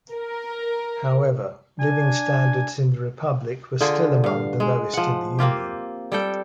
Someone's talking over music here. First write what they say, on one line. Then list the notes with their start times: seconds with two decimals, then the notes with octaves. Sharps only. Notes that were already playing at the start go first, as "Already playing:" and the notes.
However, living standards in the republic were still among the lowest in the Union.
0.12 A#4
1.80 D4 G#5
3.81 D3 F4 G#4 G5
4.24 G2 F5
4.60 G#3
4.93 F3 F#5
5.39 A#3 C4 F4 G4
6.12 G3 A4 G5